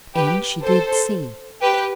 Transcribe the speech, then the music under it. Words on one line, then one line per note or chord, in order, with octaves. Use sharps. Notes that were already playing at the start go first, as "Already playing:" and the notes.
And she did see.
G4 B4
A4 C5
G4 B4